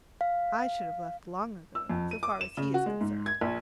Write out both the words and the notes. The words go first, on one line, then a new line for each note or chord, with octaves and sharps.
I should have left long ago, so far as he is concerned.
F5
E6
F2
D#7
D6
E7
C#3
F#4
G#3
G#2
G#6
A#1